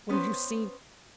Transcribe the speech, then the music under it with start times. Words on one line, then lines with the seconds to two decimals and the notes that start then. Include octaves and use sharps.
What have you seen?
0.09 B3 C#4 B4 C5